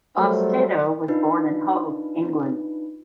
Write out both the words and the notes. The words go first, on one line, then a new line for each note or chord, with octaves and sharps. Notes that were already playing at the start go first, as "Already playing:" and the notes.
Bastedo was born in Hove, England.
F#3 G3 A3 A4 A#4 C5
D4 D#4 F4 B4